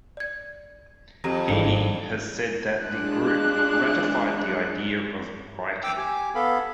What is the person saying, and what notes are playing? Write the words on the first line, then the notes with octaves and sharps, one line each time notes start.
Heaney has said that the group "ratified the idea of writing".
D5 G#6
F2 G4 A#5 A#6
G#1 G2 G#4 A4 D5 C#7
G#3 D4 F4 F#6
G5 D6 E6
G4 G#5
B3 A4 F5 B5